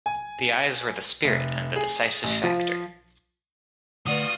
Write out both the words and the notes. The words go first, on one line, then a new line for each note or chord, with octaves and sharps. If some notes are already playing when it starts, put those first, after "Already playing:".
The eyes were the spirit and the decisive factor.
G#5
F1
G#4
A1
F3
D3 A3 F4 F#4 B4 D5 F#5 D#6